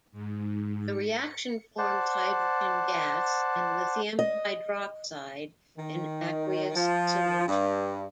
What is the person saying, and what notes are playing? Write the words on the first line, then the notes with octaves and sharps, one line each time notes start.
The reaction forms hydrogen gas and lithium hydroxide in aqueous solution.
G#2
C#7
C5 D5 F#5 A5
D#5
D#3
F3
G2